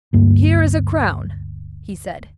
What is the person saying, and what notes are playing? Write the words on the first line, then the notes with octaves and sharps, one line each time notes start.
"Here is a crown," he said.
D2 G2 A#3